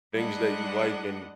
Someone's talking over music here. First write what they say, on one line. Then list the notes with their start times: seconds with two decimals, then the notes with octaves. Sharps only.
things that you like and
0.13 G3 G#3 D4 D#5 F#5